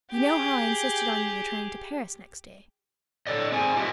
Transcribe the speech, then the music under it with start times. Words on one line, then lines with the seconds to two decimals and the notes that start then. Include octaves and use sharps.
You know how I insisted on your returning to Paris next day.
0.12 G4 G#4
3.27 A4 D5 D#5
3.52 C4 G#4 G#5
3.76 F4 G4 A#4 B4 D#5 E5